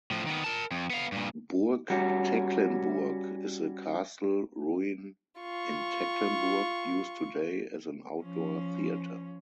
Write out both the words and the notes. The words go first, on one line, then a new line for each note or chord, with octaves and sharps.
Burg Tecklenburg is a castle ruin in Tecklenburg, used today as an outdoor theatre.
A2 F3
D#3 B3
A#4 A5
F2
B3 F5
G2 A#2
G3 C#4 F#4
F4 C#6
F3 C#4